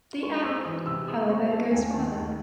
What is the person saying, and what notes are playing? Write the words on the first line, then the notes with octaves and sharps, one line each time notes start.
The Act, however, goes further.
G#3 C#6
C4 E6
E3 D#6
C3 E6
G#3 D#6
C4 C#6
A3 A5
D#2 G#5
D#3 A5
D#2